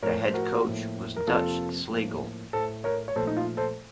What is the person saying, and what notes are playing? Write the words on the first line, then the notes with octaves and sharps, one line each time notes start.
Their head coach was Dutch Slagle.
A2 F3 A3 A#4 C#5
C5
F#4 A#4
A2 F3 A#3
A#4
F2 C3 F3 A#3 F4 A4
A2 F3 A#3
A2 A3 A4 C5
A#4 C#5
C#5
A#2 F3 A3 A4 C5
D#4
F4
A4 C5